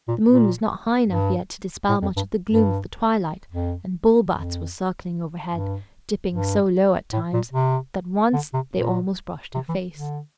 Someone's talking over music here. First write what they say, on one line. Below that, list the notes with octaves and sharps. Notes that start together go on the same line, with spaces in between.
The moon was not high enough yet to dispel much of the gloom of the twilight, and bullbats were circling overhead, dipping so low at times that once they almost brushed her face.
A#2
A#2
G2
A2
F2
G2
G2
F2
F2
G2
G2
A2
A#2
C3
D3
C3
A#2
C3
E3
D3